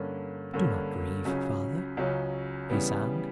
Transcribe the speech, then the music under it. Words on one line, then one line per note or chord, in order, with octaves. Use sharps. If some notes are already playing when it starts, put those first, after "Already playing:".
"Do not grieve, father," he sang.
Already playing: G2 D3 A#3 C#4
G2 D3 A#3 C#4
C#2 C#3 F#3 C#4
C#2 C#3 F#3 C#4
C#3 E3 G3 B3